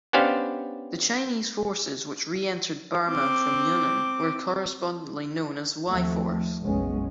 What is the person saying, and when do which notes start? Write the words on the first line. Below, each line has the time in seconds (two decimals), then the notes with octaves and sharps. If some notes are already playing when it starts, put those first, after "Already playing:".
The Chinese forces which re-entered Burma from Yunnan were correspondingly known as Y Force.
0.13 B3 C#4 D4 G4 C5 F5
3.06 C4 D6
5.87 D#2 F3 A3 C4
6.62 F#1 B1 G#3 B3 C#4